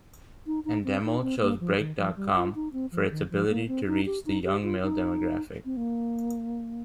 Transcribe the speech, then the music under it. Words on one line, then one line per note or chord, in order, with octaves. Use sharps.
Endemol chose Break dot com for its ability to reach the young-male demographic.
D#4
D#4
C4
D#4
C4
A#3
F3
D#3
F3
G3
F4
D#4
C4
F3
D#3
F3
A#3
C4
D#4
G4
D#4
G4
F4
D#4
C4
A#3